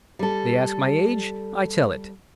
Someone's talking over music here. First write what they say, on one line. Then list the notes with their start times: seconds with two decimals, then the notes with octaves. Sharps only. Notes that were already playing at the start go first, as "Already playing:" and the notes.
They ask my age; I tell it.
0.19 G3 A4